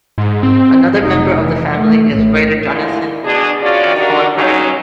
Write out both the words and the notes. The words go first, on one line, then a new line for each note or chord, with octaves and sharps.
Another member of the family is the writer Jonathan Gathorne-Hardy.
G#2
C4
F1 D#4
E3
A3
A1 A2
D#2 A#2 D3 G#3 E4
B2 D4 G#4
C#4 F4 F#4 D5
D4 D#4 F#4 G4 A#4 D5
G2 F#3 C#4 D#4